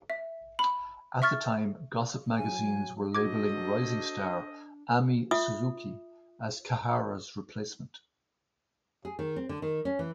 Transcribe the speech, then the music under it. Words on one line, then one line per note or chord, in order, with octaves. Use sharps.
At that time, gossip magazines were labeling rising-star, Ami Suzuki, as Kahara's replacement.
E5
B5
E5 C#6 F6 A6
F#3 G#5
D4 F#4 A4 C5 D#5 D6 G#6
F4 E5 D#6
G#4
D#3
C4
D3
D#3
C#4
E3